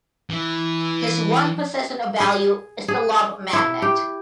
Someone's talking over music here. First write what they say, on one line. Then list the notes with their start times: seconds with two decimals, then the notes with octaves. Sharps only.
His one possession of value is the Love Magnet.
0.30 E3 E4
2.20 G#4
2.88 G#4
3.53 E4
3.82 G4